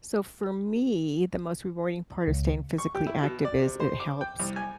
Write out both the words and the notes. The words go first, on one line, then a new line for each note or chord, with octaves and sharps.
So, for me, the most rewarding part of staying physically active is, it helps,
C#2
C#6
G4
E4
B2
D5
C3
C5
D6
G5
C2
G#5